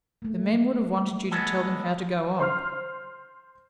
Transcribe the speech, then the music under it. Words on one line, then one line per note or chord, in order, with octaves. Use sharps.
The men would have wanted you to tell them how to go on.
A3 A#3
G#3 B3 A4
C5 C6 F6